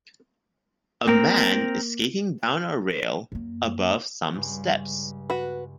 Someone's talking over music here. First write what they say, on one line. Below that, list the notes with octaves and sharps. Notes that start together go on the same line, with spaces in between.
A man is skating down a rail above some steps.
A#3 C4 A#4
F#2 A#3
C#2 G2 C#4
F#4 B4